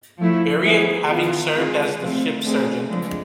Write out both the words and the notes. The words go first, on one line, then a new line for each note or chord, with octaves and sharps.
Harriet, having served as the ship's surgeon.
F3 A3 E4
F3 B3 E4 G#4
E3 B3 F4
G#3 C4 F4 G#4
F3 A3 C4 F4
D3 A3 C4 G#4
D3 F3 G#3